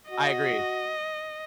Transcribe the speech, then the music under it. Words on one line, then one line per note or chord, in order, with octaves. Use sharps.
I agree,
F#4 D#5